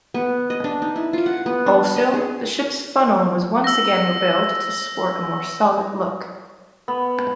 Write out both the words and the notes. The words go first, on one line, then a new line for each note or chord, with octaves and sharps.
Also, the ship's funnel was once again rebuilt to sport a more solid look.
B3
D#5
D4
D#4
E4
F4
F#5
B3
D4
D#5
G#4
E6 A#6
B3